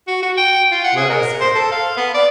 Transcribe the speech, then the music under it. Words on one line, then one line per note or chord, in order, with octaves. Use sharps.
"Let us go."
F#4
F#4
G5
F4
F#5
G#4
A#4
C5
A4
F5
B3
D5